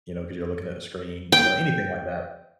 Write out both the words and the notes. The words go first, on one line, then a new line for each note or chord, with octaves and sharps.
you know, 'cause you're looking at the screen, you know, anything like that.
G5